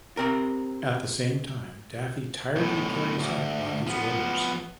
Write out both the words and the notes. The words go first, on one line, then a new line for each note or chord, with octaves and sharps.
At the same time, Daffy tiredly carries out Rocky's orders.
C3 C4 A#4
B1 A2
D2
F3 B3